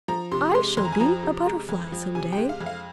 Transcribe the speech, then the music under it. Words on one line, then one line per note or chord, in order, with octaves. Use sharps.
"I shall be a Butterfly some day!"
F3 A#5
C3 C6
G#3 C6
F2 C6
A#5
G#5
F3 A#5
C3
G#3
F2
F3
C3 G#5
G5
G#3
F5
F2
F5